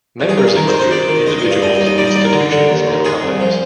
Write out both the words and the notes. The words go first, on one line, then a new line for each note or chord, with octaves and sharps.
Members include individuals, institutions and companies.
G2
G#4
G2 A#4
G#4
D#3 A#4
C5
G#3
C5
G#3 D5
D#3
G#3 D#5
D#5
G2
F5
G3 D#5
D#5
D#2
D#5
G3 D5
D#5
D#2 D5
A#4
D3
D3
D#2
D#2
G#3 G#4
C2
F3